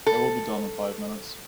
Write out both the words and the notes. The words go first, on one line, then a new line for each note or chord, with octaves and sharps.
It will be done in five minutes.
A4